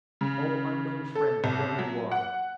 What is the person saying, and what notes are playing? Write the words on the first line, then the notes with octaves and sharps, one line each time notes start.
Oh, unknown friend! whoever you are.
C#3
A4
C2
F#3
F#5